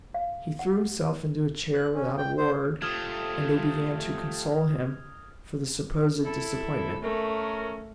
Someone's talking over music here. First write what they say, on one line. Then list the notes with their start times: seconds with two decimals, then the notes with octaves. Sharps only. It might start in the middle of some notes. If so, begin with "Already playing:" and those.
He threw himself into a chair without a word, and they began to console him for the supposed disappointment.
0.14 F5
0.59 F#5
1.74 F#6
1.95 C#4
2.17 G5
2.37 C5
2.82 F3 A3 F4 G4 A4 D#6 F6 G#6
6.23 E4 A4
7.02 A3 C#4 A#4